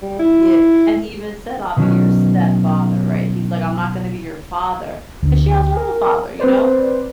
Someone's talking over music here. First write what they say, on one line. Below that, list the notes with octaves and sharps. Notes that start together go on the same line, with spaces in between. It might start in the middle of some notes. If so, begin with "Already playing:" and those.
Yeah, and he even said, "I'll be your stepfather," right, he's like, "I'm not gonna be your father," 'cause she has her own father, you know,
G3
E4
B2 D#3 F#3 C#4
D2
A#4
C4 B4 C5 D5